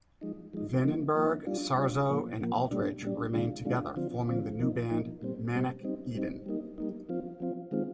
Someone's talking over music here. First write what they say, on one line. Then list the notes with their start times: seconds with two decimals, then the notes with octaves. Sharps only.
Vandenberg, Sarzo, and Aldridge remained together, forming the new band Manic Eden.
0.21 F3 G#3 D#4
0.53 F3 G#3 D#4
0.84 F3 A#3 D#4
1.15 F3 A#3 D#4
1.47 G3 D4 F4
1.77 G3 D4 F4
2.09 A#2 F3 A#3
2.41 A#2 F3 A#3
2.71 A#2 G3 D4
3.02 A#2 G3 D4
3.34 C3 D#3 G#3 D4 F4
3.65 C3 D#3 G#3 D4 F4
3.96 D3 F3 C4 F4
4.28 D3 F3 C4 F4
4.59 F3 A#3 D#4
4.91 F3 A#3 D#4
5.22 A#2 G3 C4
5.53 A#2 G3 C4
5.83 G3 C4 D#4
6.15 G3 C4 D#4
6.46 G3 A#3 D#4
6.78 G3 A#3 D#4
7.09 F3 C4 F4
7.40 F3 C4 F4
7.71 D#3 G#3 C4 F4